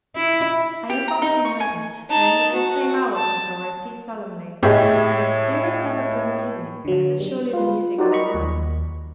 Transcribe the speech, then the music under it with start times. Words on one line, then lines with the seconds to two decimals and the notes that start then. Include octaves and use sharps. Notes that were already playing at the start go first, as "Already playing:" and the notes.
'I have often heard it, and at this same hour,' said Dorothee, solemnly, 'and, if spirits ever bring music--that is surely the music of one!'
0.16 E4
0.90 G4
1.08 A#5
1.22 D#4
1.45 C#6
1.60 G#5
2.09 D#4 A5
2.52 F#4
3.15 A5
4.63 A2 G4 G#4 D#5 E5
6.85 D3 F#3
7.20 G3
7.53 F4 B4
7.98 D#4 F#4 G4 A#4 C5 D5
8.11 A#4 D#5 A#5 B5 C#6
8.34 D#2